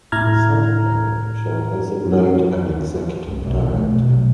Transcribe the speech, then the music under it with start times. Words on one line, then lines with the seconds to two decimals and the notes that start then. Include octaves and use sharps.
The Secretary shall designate an Executive Director.
0.12 A2 E4 A#5 F6 G#6
3.26 C2 G#3
3.43 B1 F4
3.57 A#2 D#4
3.70 E2 A3
3.90 B2
4.10 B2 F#3